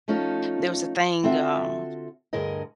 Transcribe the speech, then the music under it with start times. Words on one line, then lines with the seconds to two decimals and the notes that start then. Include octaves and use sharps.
there was a thing, um,
0.08 F3 A3 C#4 D#4 F4 A4
1.23 D3 C4 F4 F#4 A4 E5
2.33 D2 G2 D3 G#4 A#4 D#5